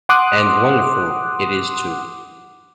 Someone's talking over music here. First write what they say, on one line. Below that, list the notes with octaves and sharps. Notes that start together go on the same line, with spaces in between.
And wonderful it is too.
F#5 C6 D6 D#6 F#6